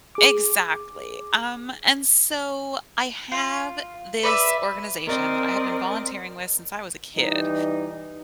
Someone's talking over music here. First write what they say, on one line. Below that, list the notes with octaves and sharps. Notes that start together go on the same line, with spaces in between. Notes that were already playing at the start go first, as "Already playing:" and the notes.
Exactly. Um, and so I have this organization that I have been volunteering with since I was a kid,
G#4 D6
F4
B4 D5 E5
C4 A#4 D5 D#5
E3 G3 D#4